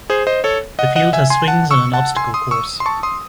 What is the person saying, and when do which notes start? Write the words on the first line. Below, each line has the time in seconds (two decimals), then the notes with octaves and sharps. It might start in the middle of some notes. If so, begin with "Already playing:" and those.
The field has swings and an obstacle course.
0.10 G#4 C5
0.27 C5 D#5
0.44 A4 C#5
0.79 D#5 F#5
0.96 D#5 F#5
1.13 E5 G#5
1.30 G#5 C6
1.48 F#5 A5
1.71 C#6 E6
1.93 F#5 A5
2.16 G#5 C6
2.34 C6 D#6
2.51 C#6 E6
2.80 C6
2.86 A5 C#6
3.03 C6 D#6